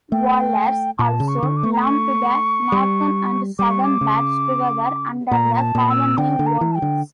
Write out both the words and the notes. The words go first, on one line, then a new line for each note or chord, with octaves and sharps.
Whalers also lumped the northern and southern birds together under the common name "woggins".
A3 G5
A#2 A5
C#3
C#6
D3
D6
A3 C#6
A#5
C#6
G3
G3 D6
C#6
D6
C#3
A#2 A#5
A#5
A5
A#2
E6
D3 G5
D3
A#5
E3
A5
G5
D3